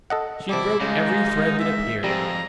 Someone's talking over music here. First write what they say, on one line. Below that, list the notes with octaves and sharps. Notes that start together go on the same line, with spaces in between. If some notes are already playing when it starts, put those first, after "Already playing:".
She broke every thread that appeared.
A4 D#5 F#5
C3 G3 E4 A5 D6
G#2 C#3 G#3 D#4 F5
E5
F2 G3 C4 G#4 A#5